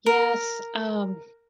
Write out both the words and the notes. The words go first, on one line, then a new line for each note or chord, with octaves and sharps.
Yes, um,
A#4